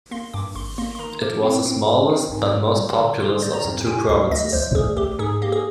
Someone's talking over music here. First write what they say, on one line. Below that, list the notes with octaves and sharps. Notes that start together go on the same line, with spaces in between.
It was the smallest, but most populous of the two provinces.
A#3 C6
G2 D6
G#1 C6
A#3 C6
C6
D#3 A#5
F3 D6
C4
C4
G#2
C4
G#2
D3
G3
D3
D3 C6
G3
A#5
F2
G5
C3 G#5
D2 F5
D2 D#5
D2 C5
D2 G#4
D2 G4
G#2 G#4
A#3 G4
G#4